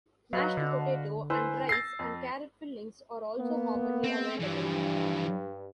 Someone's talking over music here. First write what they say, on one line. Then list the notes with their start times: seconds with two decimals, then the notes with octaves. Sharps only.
Mashed potato and rice-and-carrot fillings are also commonly available.
0.33 F#3 F#4 B4 D#5 F5
0.57 D3
1.30 E4 B4 C5 G#5 C6 E6
1.69 E6 A6 A#6 C7
1.99 F2
3.39 A#3 B3
4.04 C4
4.40 G2 E3 F3